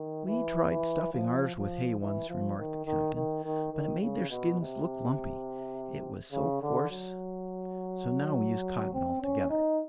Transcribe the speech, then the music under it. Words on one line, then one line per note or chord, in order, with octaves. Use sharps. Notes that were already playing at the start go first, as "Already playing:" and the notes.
"We tried stuffing ours with hay once," remarked the Captain; "but it made their skins look lumpy, it was so coarse; so now we use cotton altogether."
Already playing: D#3
E3
E3
F3
F3
E3
F3
D#3
D#3
D#3
D#3
D#3
C#3
B2
C3
C#3
D3
F#3
C4
C#4
D#4